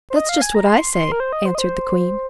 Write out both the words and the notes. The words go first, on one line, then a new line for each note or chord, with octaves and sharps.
"That's just what I say," answered the queen.
C5
D#5
F5
G#5
A#5
C6
C6
A#4
C5
D#5
C5
D#5
C5